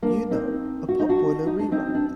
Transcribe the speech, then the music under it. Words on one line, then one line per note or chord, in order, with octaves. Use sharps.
You know, a potboiler rewrite.
A#3 D4
C4 D#4
F#4
D#4
D4 F#4
D#4
D4
C4 D#4
D4